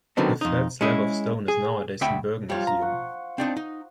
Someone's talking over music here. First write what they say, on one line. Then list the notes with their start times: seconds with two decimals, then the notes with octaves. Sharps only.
The flat slab of stone is nowadays in Bergen Museum.
0.17 D3 D#3 F#3 B3 C4
0.41 F2 D#4
0.81 G#3 C#4 E4 G#4
1.48 G#4
2.01 D2 E5 G5 B5
2.50 F3 G3 F4 C#5
2.67 A#5
2.82 C5 F#5 C#6
3.38 C4 D4 D#4
3.57 D#4